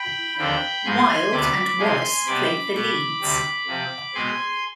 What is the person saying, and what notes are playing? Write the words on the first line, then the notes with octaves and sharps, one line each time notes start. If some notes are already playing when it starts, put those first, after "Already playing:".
Wilde and Wallace played the leads.
Already playing: G5 B5
D#2 D3 F3 C4 G5 B5
G#2 F3 G#3 C4 G#5 C6
D2 C3 G3 B3 B5 D6
C3 F3 G#3 G#5 C6
C3 G3 B3 B5 D6
B2 B3 B5 D6
D2 C3 G3
C3 F3 C4
B2 G#3 C4 G#5 C6